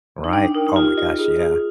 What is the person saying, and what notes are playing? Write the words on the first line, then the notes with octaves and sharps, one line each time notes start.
Right, oh my gosh, yeah.
D#4
D4 G5
D#4 A#4
D#4
F4 G4
F4 D#5
G#4
G#4